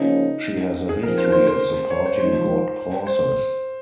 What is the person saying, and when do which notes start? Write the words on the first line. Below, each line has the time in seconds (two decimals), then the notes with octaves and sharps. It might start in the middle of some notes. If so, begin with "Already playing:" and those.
She has a history of supporting good causes.
Already playing: C#3 F3 A#3 C#4 D#4
0.89 G#4
1.03 F3 C4 D#4 A#4
1.18 C5
1.32 C5
1.47 C5
1.90 C#5
2.06 C5
2.20 F3 G#3 D#4 C5
3.07 C5